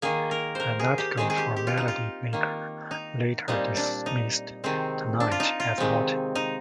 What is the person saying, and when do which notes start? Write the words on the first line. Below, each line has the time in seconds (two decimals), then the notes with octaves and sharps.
An article for "Melody Maker" later dismissed "Tonight" as "rotten".
0.02 D#3 A#3 G#4
0.31 A#4
0.55 A#4 C5
0.80 G#4
0.98 G4
1.17 D#3 G#3 C4 G#4
1.30 G#4
1.38 G4
1.56 G4
1.67 F4
1.77 D#4
1.88 F4
2.33 D#3 A#3
2.91 D#4
3.48 A#2 G3 C4 D#4
3.77 D4
4.06 D#4
4.64 C3 D#3 G#3 C4
5.20 D4
5.32 F4
5.40 D#4
5.60 F4
5.78 C3 D#3 G#3 C4
6.35 D#4